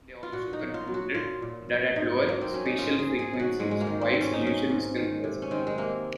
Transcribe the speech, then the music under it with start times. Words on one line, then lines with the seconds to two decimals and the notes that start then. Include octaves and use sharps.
They also concluded that at lower spatial frequencies White's illusion is still present.
0.23 F4
0.32 A#2 F#4
0.53 D#4
0.59 F#3
0.74 F4
0.87 F#3
0.94 F#4
1.14 A#2 F4
1.42 A#2
1.69 F#3
1.96 G#2 D#4
2.23 F#3
2.29 A#3
2.41 C4
2.50 F#3 C#4
2.66 D#4
2.79 G#2 F4
2.99 G#4
3.05 G#2
3.19 G#4
3.33 F#3
3.39 F#4
3.59 G#2 G#3
3.71 G#3
3.81 A#3
3.87 D#3
4.01 C4
4.14 G#2
4.21 C#4
4.33 D#4
4.41 F#3
4.47 C#4
4.70 G#2
4.97 D#3
5.24 C3
5.42 C#4
5.51 D#3 C4
5.67 G#3
5.78 C3 A#3